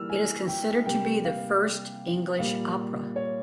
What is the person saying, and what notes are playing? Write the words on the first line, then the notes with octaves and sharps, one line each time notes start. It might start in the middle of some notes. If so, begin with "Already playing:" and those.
It is considered to be the first English opera.
Already playing: E3 G3 A#3 E6 F6
G#5
G5
C3 G3 A#3 G5
F5
A#2 G3 A#3 F5
C#5